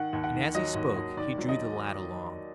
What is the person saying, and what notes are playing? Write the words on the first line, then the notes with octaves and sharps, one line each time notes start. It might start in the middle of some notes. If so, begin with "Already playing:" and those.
And as he spoke he drew the lad along.
Already playing: D#3 F#5
D#2
F#5
D#3
F#3 D#5
D#2
D#2
D#3 D5
F#3
D#5